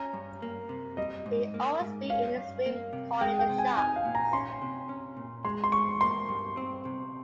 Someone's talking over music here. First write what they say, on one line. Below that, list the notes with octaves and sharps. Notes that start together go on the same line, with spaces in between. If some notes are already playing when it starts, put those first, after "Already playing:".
He'd always be in his room calling the shots.
Already playing: C#4 A#5
G2
A#3
C3
G3 D#5
G#2
A#3
G#2
C#4 F5
G2
A#3
C3
G#3 G5
G5
C3
G#5
D#4 G#5
F5
A#2
A#5
C#4 C6
C3
C#4
A#2
G#3 C6
C6
G#2 C#6
A#3 C6
G2
C4
C3